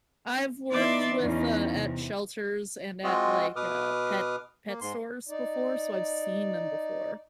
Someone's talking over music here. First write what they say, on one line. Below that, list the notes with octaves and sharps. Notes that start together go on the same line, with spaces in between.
I've worked with, uh, at shelters and at, like, uh, pet pet stores before, so I've seen them before.
E3 B3 D#4 D5 E5 C6
E2 C#4 D#4
C3
G#3 C4 F4 F#4 D#5
B2 B4 D6 D#6 F6
A#3
G#2 C6
D#4 D5